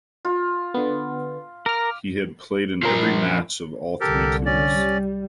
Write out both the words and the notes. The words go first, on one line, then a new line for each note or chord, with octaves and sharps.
He had played in every match of all three tours.
F4
D3 B3
A#4 D6 F6
F3 A#4
C2 D3 G4 A4 A#4
C#4 D5
G3